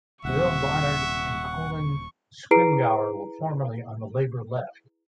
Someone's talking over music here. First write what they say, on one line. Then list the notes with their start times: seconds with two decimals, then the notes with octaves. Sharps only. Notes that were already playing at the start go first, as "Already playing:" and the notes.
Bill Barnard and Colin Scrimgeour were formerly on the Labour left.
0.25 D#1 C3 E5 F#5 C#6
2.51 E4 G#4 B4 A#5 C7 D7